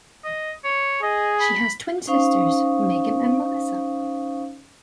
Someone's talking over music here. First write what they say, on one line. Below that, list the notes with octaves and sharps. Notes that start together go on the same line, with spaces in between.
She has twin sisters Megan and Melissa.
D#5
C#5
G#4 D#5
B5
C#4 D#4 C5 F5 C#6 D#6